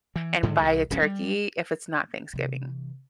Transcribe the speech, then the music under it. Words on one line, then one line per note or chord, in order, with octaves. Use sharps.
and buy a turkey if it's not Thanksgiving.
E3
G#2 D3 D#3 G#3
C2
D#1 B1 C#4
G3
C3 E3